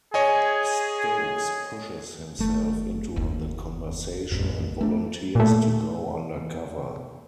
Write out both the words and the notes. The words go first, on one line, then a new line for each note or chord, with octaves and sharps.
Stokes pushes himself into the conversation and volunteers to go undercover.
G#4 C#5 D#5 G#5
F#1 A3
F#1 D#2
A1 F2
A3 D4
A#2 A3